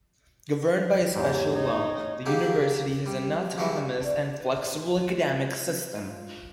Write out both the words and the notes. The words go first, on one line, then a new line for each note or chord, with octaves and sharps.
Governed by a special law, the university has an autonomous and flexible academic system.
E2 G#2 G4 C#5
D#4
C#3 F#3 A#3 G4 G#4
G3
C#3 E3 F#3 G3 D#5 C#6
D4
E3
F4
F4